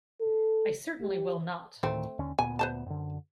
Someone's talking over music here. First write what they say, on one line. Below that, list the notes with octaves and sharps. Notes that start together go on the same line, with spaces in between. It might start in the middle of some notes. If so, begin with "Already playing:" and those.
I certainly will not!
A4
G4
D2 A2 D#3 A3 C4
D#2 D3 C#4
D2 A#2 B3 G#5
B4 C5 A5
F#2 D3